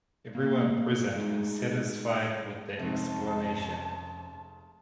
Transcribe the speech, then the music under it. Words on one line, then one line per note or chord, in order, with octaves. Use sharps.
Everyone present is satisfied with the explanation.
A#3
G#3 A3 D#4 F4 G#4 A4
F1 F2 G#2 C#4 D#4 A5